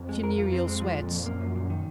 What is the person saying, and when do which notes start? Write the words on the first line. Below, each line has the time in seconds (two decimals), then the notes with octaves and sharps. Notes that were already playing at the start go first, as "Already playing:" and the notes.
Funereal sweats.
Already playing: F2
0.09 G#3
0.23 A#4
0.38 F2 F4
0.53 C4
0.68 G#3
0.82 F3
0.97 A#2
1.11 A#2
1.26 F#2 A#3
1.40 F3
1.56 A#2
1.70 D#3